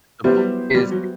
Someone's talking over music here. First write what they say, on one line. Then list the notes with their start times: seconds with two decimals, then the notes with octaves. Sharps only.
the book is,
0.24 F#3 G3 B3 E4 G4 C5
0.74 G3
0.91 F#3